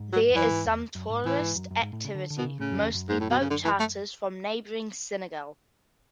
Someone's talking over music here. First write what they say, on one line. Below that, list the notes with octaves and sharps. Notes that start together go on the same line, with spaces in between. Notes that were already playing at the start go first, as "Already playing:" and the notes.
There is some tourist activity, mostly boat charters from neighboring Senegal.
Already playing: G#2
F#3
E2
F#2 E3
G#2
E2
F#2
G#2
A2 E3
G#2
F#2
F#2
G#2
A2
C#3
D3
D3
B2
C#3
A2 C#3
F#2
E2
F#2
G#2
A2
B2
C#3
D3
E3
A3